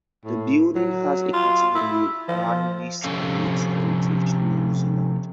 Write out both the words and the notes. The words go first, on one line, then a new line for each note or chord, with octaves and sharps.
The building has a Category One listing with Heritage New Zealand.
A2
F#3
F4
E4
F3
C3 F3 C#4 A4 F5